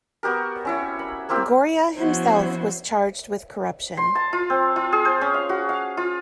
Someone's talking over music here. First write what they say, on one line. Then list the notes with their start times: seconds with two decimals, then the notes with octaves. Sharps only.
Goria himself was charged with corruption.
0.23 B3 F#4 G4 A#4
0.65 C#4 E4 C#5
0.99 B5
1.29 A#3 C4 E4 G4
1.96 F3 B3 C#4 E4 F#4 C5
3.97 C6
4.15 A5
4.33 F4
4.50 C4
4.76 F4
4.92 G#4
5.05 C5
5.21 C#4
5.34 F5
5.49 F#4
5.69 F5
5.97 F4